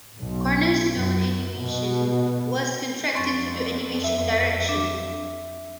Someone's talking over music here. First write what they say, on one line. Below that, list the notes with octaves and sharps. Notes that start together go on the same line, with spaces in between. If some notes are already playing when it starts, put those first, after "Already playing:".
Cornerstone Animation was contracted to do animation direction.
B1
F#2
B2
F2 C4 C#6 A6
E5
D4